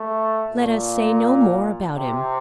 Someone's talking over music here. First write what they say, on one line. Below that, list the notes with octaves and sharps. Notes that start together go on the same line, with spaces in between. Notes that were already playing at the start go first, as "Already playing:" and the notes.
Let us say no more about him.
Already playing: A3
A#2
C3